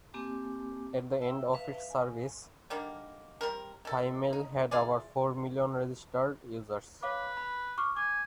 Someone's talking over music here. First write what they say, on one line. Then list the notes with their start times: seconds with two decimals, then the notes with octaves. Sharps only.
At the end of its service, Thaimail had over four million registered users.
0.13 A#3 C4 G4 G#5 A5 D6
1.21 E5 G5 E6
1.53 B4 E5 F5 A5
1.90 G#5
2.70 D3 D#3 G3 A#3
3.41 G3 C4 A#4
3.85 D#3 A4
4.33 D#4
4.71 E4 F4 G#4 D5
7.03 B4 C#5 F5 D6
7.37 B5
7.78 C#6 D6 F6
7.97 G#5 D6